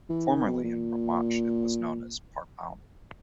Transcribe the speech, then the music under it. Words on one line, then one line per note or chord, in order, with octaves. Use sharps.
Formerly in Romansh it was known as "Parpaun".
E3
D#3
B2
A#2